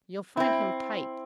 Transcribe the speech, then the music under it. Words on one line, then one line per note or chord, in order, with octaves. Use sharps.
You'll find him tight.
C4 E4